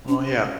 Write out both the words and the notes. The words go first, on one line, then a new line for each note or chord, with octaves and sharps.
Well, yeah.
C#4